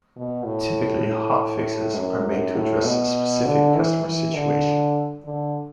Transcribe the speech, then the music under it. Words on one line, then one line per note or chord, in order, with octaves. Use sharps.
Typically, hotfixes are made to address a specific customer situation.
B2
A2
A2
F#2
F#2
A2
B2
D3
E3
E3
D3
D3